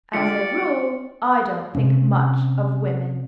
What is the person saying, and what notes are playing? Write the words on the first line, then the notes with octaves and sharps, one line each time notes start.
As a rule I don't think much of women.
D3 G#3 F4 D5 F5 G5 C#6 C#7
C3 C4 C#4